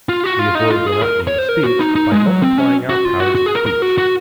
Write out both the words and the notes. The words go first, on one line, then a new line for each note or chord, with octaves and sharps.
We avoid monotony in speech by multiplying our powers of speech.
F4
F#4
F4
D#4
F4
G#4
A#4
C#5
C5
A#4
F#4
D#4
D#4
G#3
F#3
C4
C#4
F#4
F4
F#4
F#4
G#4
A#4
A#4
F#4
F#4